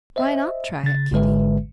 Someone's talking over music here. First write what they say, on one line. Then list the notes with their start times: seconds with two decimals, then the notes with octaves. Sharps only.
Why not try it, Kitty?
0.16 C5 D#5 E5
0.84 C#3 A6
1.11 G#1 G#2 D3 G#3 B4 E5